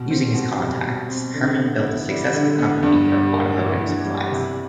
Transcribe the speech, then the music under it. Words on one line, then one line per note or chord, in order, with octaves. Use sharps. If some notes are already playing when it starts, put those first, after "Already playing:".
Using his contacts, Herrmann built a successful company for automotive supplies.
Already playing: B2
C4
B2
G3
B2
C4
D3
B3
E4
G3
D3
B3
G2
G3
A#3
E3
G2
G3
C3